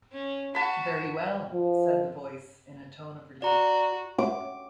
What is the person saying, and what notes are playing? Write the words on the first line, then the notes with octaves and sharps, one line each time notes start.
"Very well," said the Voice, in a tone of relief.
C#4
F#4 A5 B5
F3
F#4 D5 A#5
D6